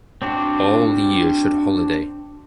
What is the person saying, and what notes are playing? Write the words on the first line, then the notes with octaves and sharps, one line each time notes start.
All year should holiday.
C4 D4 F#4